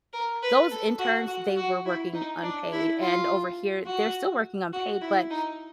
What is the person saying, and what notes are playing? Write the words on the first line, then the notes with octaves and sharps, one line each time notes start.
those interns, they were working unpaid, and over here, they're still working unpaid, but
A#4
B4
A4
F#4
F#4
F#4
E4
D#4
D4
E4
F4
F#4
F#4
E4
D#4